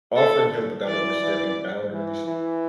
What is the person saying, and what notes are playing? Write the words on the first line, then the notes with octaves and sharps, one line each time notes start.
offering help without overstepping boundaries,
D3 A4
E3 D5
E3
E3
E3